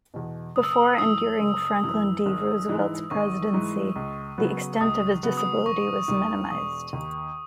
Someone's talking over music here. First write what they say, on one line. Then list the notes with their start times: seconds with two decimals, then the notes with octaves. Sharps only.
Before and during Franklin D. Roosevelt's presidency, the extent of his disability was minimized.
0.14 E2 B2
0.56 F#1 D#6
0.63 E6
0.71 D#6
0.98 F#2 E3 D#6
1.40 F#1
1.84 F#2 E3
2.26 G#1
2.68 G#2 E3 G#3 D#4
3.11 G#1 C#6
3.53 G#2 E3 G#3 D#4
3.96 C#2
4.38 C#3 F#3 B3
4.81 C#2 D#6
5.23 C#3 F#3 B3
5.38 D#6
5.66 E1 C#6
6.08 D#2 D#3
6.51 E1 D#6
6.93 D#2 D#3